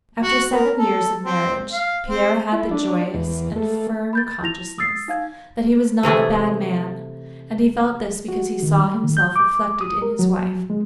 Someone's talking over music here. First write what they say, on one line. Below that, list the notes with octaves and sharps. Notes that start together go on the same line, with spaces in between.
After seven years of marriage Pierre had the joyous and firm consciousness that he was not a bad man, and he felt this because he saw himself reflected in his wife.
F#4
A#4
A4
C4
F5
C4
E4
D4
E2
A3
B5 G6 A6
E4 A#6 F7
D#6 E6 A6 C7
D#4 F5 G#6
C3 E3 A3 G#4
F#4
D#3
G3
D#3
G6
D6
D#6
A#4
F#3
G#3